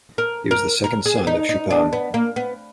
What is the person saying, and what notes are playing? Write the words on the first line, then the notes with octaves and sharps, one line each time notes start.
He was the second son of Chupan.
A#4
A#4
A#4
G#4
D#4
D#4
D4
B3
A#3
B3